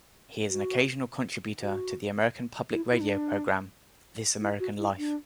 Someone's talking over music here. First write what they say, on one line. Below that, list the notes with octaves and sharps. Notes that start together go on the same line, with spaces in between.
He is an occasional contributor to the American public radio program "This American Life".
F#4
F#4
E4
E4
D4
E4
F#4
E4
D4